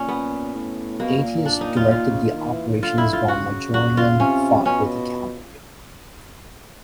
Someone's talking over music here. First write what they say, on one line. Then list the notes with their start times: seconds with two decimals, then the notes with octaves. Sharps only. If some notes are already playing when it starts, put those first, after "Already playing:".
Aetius directed the operations while Majorian fought with the cavalry.
Already playing: A#2 C#4
0.08 B3
0.54 A2
0.99 B2 A#3
1.18 B2
1.23 A#2
1.45 D4
1.61 D#4
1.76 F4
1.91 F4
2.09 C#3
2.23 D3
2.36 D#3
2.52 E3
2.67 D#3
2.82 D3 F4
2.98 E4
3.13 F4
3.28 C#3 F#4
3.74 F#4
3.97 F4
4.20 C3 C#4
4.65 B2 C#4